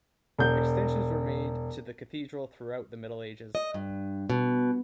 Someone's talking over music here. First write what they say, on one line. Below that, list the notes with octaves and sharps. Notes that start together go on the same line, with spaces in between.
Extensions were made to the cathedral throughout the Middle Ages.
E1 G6
D#5
G2
B2